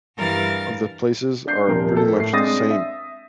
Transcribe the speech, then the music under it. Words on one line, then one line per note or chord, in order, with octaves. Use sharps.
of the places are pretty much the same
G2 E3 G3 A#4 F5 A6
D4 G6 C7
D#1 C3 F3 A#4
A#3 A4
A2 C7
G#3 C4 D4 D#6 A6 A#6
E5